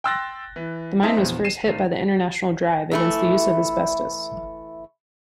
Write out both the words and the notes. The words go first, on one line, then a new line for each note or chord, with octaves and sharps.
The mine was first hit by the international drive against the use of asbestos.
G5 C6 E6 F#6 A6 A#6
E3
C4 D#4 E5 A5
A#1 E2
C7 D#7 E7
G#1
E3 A3 E4